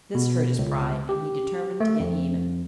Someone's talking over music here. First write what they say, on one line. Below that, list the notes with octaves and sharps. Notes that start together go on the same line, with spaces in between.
This hurt his pride, and he determined to get even.
B2
C#2
G4
A3
F2